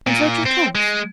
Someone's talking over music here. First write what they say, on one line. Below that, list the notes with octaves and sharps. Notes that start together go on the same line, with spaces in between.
"And search her trunks?"
A#2
C4
G#3